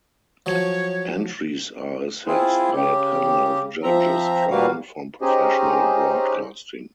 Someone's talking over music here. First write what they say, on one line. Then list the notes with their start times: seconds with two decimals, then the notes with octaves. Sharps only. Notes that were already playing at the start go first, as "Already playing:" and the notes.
Entries are assessed by a panel of judges drawn from professional broadcasting.
0.46 F3 F#3 C#5
2.27 C4 E4 F4 G#4
2.73 C#3 G4
3.83 F3 C4 E5 A#5
4.51 A#2 G3 A#3 F#4 B4 F5
5.21 C#4 D#4 G4 G#4 C5 D#5